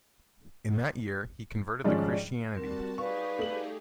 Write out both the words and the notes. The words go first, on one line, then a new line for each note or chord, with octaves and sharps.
In that year, he converted to Christianity.
G#2 D#3 F3 G3 C#4 D4
G3 C4 F#4 A#4 A5
D#4 G4 G#4 B4 D5 F5 C#6
A3 F#7